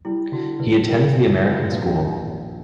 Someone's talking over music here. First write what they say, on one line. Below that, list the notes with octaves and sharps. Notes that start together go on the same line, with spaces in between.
He attends the American School.
G3 E4
D3 F#4
D3 B4
G3 A#4
F#2
F#2
A#1 B4
A#1
A#1